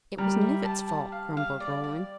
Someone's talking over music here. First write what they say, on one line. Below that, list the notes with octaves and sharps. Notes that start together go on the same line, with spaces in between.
"It was Knivett's fault," grumbled Roland.
G3 A#4
E5
A5
A5
F5
F5
D5
D5